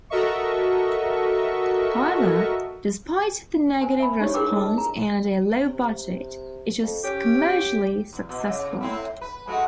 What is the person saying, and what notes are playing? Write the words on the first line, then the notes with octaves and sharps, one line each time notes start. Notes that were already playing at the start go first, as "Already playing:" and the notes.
However, despite the negative response and a low budget, it was commercially successful.
F#4 A4 A#4 D#5 E5 C#6
C5 G#5
E5 B5
D4 D#4 G4 C5 C#5
E4 G#4 A#4 B4 G5 D6
D#5 A5
A#5
C3
F2
C#4 G4
E2
B2
C#3
A2 C4 E4
B4
G#3 A3 F#4